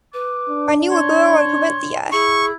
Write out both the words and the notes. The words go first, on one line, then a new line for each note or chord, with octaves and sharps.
I knew a girl in Carinthia.
B4 D6
D4
C#5 C6
E4 G#4 C#6